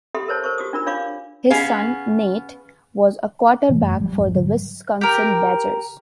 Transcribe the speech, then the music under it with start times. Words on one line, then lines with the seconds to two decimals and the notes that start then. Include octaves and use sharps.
His son, Nate, was a quarterback for the Wisconsin Badgers.
0.14 G4 A4 E5 B5 C6
0.28 A#4 C5 C#5 A5
0.44 A#4 C5 C#6
0.58 F#4 G4 D#6
0.73 D4 F4 A#4 B5
0.86 D4 C#5 F5 B5 D6
1.50 B3 C#4 G#4 F5
3.69 G#2 B2 E3 A#3
3.82 F#2 A3
3.99 G#1 F3 G3
4.17 A#1 F2 G#2
4.35 G#2 D3 F#3 G3
5.01 G4 A#4